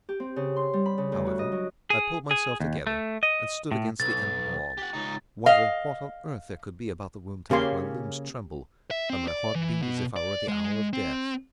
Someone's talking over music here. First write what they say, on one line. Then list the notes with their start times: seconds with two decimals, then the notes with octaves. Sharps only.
However, I pulled myself together, and stood against the end wall, wondering what on earth there could be about the room to make my limbs tremble, and my heart beat as if I were at the hour of death.
0.09 G4
0.20 C4
0.36 C#3
0.56 C6
0.73 G3
0.86 B5
0.98 C#3
1.12 D2
1.26 F#4
1.39 D#5
1.52 F#3
1.90 G#4
2.31 G#4
2.60 D#2
2.87 A3
3.23 D#5
3.71 A2
4.00 B1 A6
4.78 G4 F#5
4.93 C#2 D#4
5.46 D#5 F5
7.51 C#3 A#3 C#4 G4 C6
8.91 E5
9.10 C4
9.28 D5
9.55 E3
9.83 B2
10.16 D5
10.48 G#3
10.93 C4